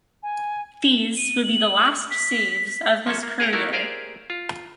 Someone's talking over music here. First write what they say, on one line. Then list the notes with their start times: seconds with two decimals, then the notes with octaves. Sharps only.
These would be the last saves of his career.
0.22 G#5
0.82 E7
1.16 D#7
1.43 F#7
2.10 B6
3.06 F3 A#3 C#4 A4
3.23 A#3
3.40 G#4 A#4 C#5 G5 A5 A#5
3.53 A3 A#3 D#4 E4 F#4 A#4
3.73 G4 G#4 A#4 C5 D5 F5
4.30 F4